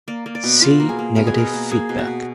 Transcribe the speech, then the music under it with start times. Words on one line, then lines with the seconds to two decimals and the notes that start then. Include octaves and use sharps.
See Negative feedback.
0.08 A#3 D5
0.26 A#3
0.35 D5
0.44 B2
0.62 B2 F4
0.80 A#3
0.89 G#4
0.99 A#3
1.16 B2 A#4
1.27 G#4
1.34 B2 A#4
1.53 A#3
1.71 A#3 G#4
1.89 B2
1.99 F#4
2.07 B2